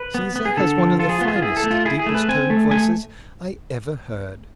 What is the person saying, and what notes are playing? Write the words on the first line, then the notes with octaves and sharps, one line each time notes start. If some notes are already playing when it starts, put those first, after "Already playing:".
Caesar has one of the finest, deepest-toned voices I ever heard.
Already playing: B4
B3
B3
G#4
D3 A4
F3
F4 A4
G#4
B3 F4
G#4
F4
E4 G#4
A4
A3
F4
E4 G#4
G#4
A3
B4
C4 G#5
A3
A3 G#5